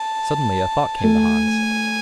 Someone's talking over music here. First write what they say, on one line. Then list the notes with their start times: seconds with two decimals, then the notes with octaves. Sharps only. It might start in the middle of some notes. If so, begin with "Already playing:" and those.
Suddenly a thought came to Hans.
Already playing: A5
1.03 A3 G#5